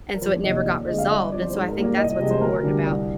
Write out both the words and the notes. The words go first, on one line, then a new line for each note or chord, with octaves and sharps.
and so it never got resolved. And so I think that's what's important about,
A#4
F2 C5
D5
C3 D#3 A#3 D#5
D#5
D#2 D5
D5
D3 G#3 C4 D#5
F5
G2 D#5
D5
F3 C4 D5
C5
G#2 C5
A#4
G3 A#3
D5
C2 D#5
D#5
C3 F3 G#3 D#5
C5
D2 A#4
D3 G3
C2